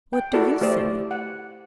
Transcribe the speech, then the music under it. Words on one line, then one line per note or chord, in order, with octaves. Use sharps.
What do you say?'
G5
E4 F#4 A4 A#4 D5
A3 G4 C5 D5
F#5